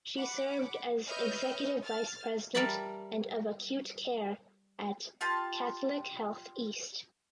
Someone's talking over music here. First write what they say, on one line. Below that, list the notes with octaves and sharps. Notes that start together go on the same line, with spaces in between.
She served as Executive Vice President and of Acute Care at Catholic Health East.
F#5 B5 D6
B4 C#5 D#5 E5 F6 G6
F6 A6
G3 A#4 D5 E5 A5 B5
F4 G4 A5